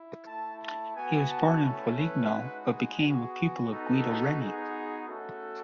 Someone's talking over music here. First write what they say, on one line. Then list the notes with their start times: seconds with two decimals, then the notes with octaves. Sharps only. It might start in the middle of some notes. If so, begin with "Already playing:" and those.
He was born in Foligno, but became a pupil of Guido Reni.
Already playing: E4
0.27 A3 E4 A5
0.61 A5
0.95 B3 F#4 G#5
1.29 A5
1.64 A3 C#4 E4 A5
1.99 B4
2.33 G#3 D#4 F#4
2.68 G#4
3.01 B3 F#4
3.36 G#4
3.70 B3 D#4 F#4 A4
4.39 B3 D#4 F#4 G#4
5.07 A3 C#4 F#4 A4